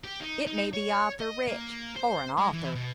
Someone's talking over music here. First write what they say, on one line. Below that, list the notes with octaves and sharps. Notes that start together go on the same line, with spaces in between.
It made the author rich--for an author.
G4
D#4
D#4
C#5
D#5
A#3
C5
G#3
E3
B2